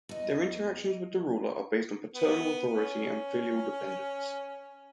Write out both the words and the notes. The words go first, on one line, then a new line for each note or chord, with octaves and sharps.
Their interactions with the ruler are based on paternal authority and filial dependence.
E2 D#5
B3
C#4